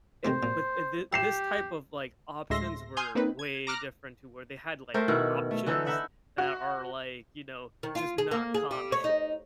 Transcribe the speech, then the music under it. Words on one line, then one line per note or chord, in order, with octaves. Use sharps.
eh, but, eh, th this type of, like, options were way different to where they had like options that are like, you know, just not common.
C3 D#3 A3 C5
A#2
G4 E5 G5 A#5 C6 C7 E7
D2 A2 G#3 E5 C6 A#6
G#5 C6 D#6 F6 G6 G#6
A#3 C4 C#4 D#4 B4
G#6
A#5 D6 F6 F#6 A#6
A3 G4 A#4 C5
B2 D#3 E4 F#5
A3
D3 E3 D#4 A4
D#4 E4 E5 F#5
F#4
D#3
F4
G#4
A#3
G#4
G3
C#5
D#4